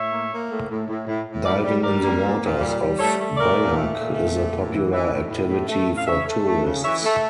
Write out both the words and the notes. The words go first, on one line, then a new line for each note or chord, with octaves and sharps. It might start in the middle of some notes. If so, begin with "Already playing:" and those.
Diving in the waters off Biak is a popular activity for tourists.
Already playing: A2 C#5 E5
A#3
A#3
A2
A2
A2
A2
A2
G3 A#4 D5
G3
G3 A#4 D5
A#3
A#2
A#2
G3
G3
A3 A4 C#5
A3
A#2 A#4 D5
A#2
A3
A#2
A3
A#2
A2
E3
E3
A2
A2
A2
A3
A2
F5
C#3 C#5 E5
A3
A3
C#3
E3 C#5 E5
A3